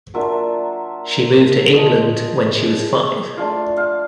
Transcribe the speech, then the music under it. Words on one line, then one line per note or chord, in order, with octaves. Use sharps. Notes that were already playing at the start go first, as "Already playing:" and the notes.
She moved to England when she was five.
F#3 A#3 D4 F4 E5
F3 G#3 C#4 D#5
A3 D4 F4 F5
F5